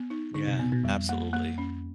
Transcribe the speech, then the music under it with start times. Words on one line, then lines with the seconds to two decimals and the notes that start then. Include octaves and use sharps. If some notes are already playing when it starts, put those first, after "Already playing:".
Yeah, absolutely.
Already playing: B3
0.10 D#4
0.34 D3 D#4
0.48 C3
0.59 B2 B3
0.72 B2
0.84 F2 G3
1.09 A#3
1.33 A#3
1.58 C#4